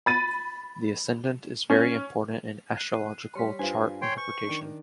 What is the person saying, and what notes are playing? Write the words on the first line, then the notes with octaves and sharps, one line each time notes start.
The ascendant is very important in astrological chart interpretation.
B5 A6 D#7
C#4
F#6 C7 D#7
G3 C#5 C6 B6
G2 F4 B4 C5 G#5
C#5 G5 C6
C#6 G6
D#3 D4